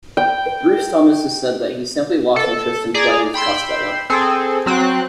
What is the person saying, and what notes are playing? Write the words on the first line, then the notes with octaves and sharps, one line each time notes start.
Bruce Thomas has said that he simply lost interest in playing with Costello.
G5
A4
G#4 D5 A#5
G5 B5 C6 E6
C4 G#4 A4
F#3 C4 F#6